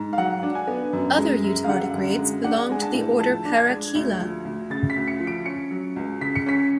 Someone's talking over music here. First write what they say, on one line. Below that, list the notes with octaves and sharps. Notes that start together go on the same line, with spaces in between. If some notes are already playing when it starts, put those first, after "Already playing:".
Other eutardigrades belong to the order Parachaela.
Already playing: G#2
F5
F#3 F#5
D4
G#5
B3
F#2
G#3
F#2
F5
D3 F#5
F#2
G#3
D4 F#5
G#3 G#5
A5
A2
F3 A5
D4
G#6
G#3
D2
F3
D2
C#3 A6
B6
D2
C#7
F3
D7
C#4 C#7
F#3
C#2
C#3 B6
C#7
C#4 B6